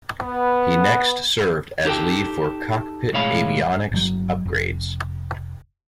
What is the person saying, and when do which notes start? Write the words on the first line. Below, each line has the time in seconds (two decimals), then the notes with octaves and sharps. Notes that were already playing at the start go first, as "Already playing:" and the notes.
He next served as lead for cockpit avionics upgrades.
0.21 B3
1.85 D#4 G4 A4 G5
3.13 B1 A2 G#3 C#5 F5 B5
3.91 G1 C#3 F#3
4.46 F1